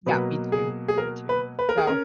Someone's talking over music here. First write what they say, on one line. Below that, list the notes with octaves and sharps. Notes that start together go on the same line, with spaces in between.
yeah, me too, me too. So,
B2 F#3 A#3 B4
G#4
G#4
A#4
B4
B4
A#4
G#4
C#4 A#4